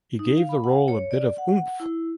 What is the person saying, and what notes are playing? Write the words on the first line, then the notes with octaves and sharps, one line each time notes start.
He gave the role a bit of oomph.
D#4
F5
B5
F#5
C#5
D5
F#5
E4